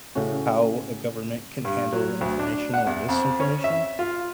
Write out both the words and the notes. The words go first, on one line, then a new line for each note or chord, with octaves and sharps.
how a government can handle information or misinformation
A2 C#3 A3 C#4 F#4
G2
F#3
D2
D4
F#5
E2
F2
C#4
E5
F4